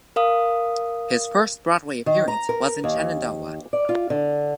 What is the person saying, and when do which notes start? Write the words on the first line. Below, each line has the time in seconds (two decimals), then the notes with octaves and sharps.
His first Broadway appearance was in "Shenandoah".
0.16 A#4 F5 D#6
2.06 D#3
2.28 A#5
2.49 A#4
2.84 D#2
3.73 D5
3.89 F4
4.10 D3